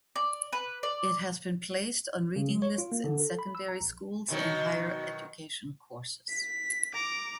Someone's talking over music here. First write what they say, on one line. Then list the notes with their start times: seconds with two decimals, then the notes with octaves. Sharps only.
It has been placed on reading lists in secondary schools and higher education courses.
0.16 D5
0.53 B4
0.83 D5
2.36 C#3
2.49 F#3
2.62 C#5
2.78 F4
2.92 A#3
3.04 D3
3.20 A4
3.39 B5
3.55 E6
3.68 A#5
3.81 A#1
4.28 B2 D#3 F#3
6.29 B6
6.94 A#5 D6